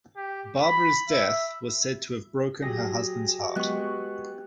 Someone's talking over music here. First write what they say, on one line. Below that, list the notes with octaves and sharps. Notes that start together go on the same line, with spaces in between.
Barbara's death was said to have broken her husband's heart.
G4
B5
E5
F#3 G4 G#4 A#6
G#3 B3 G4 C#6 F#6